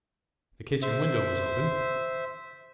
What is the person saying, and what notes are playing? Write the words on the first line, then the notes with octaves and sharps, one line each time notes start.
The kitchen window was open.
C5 E5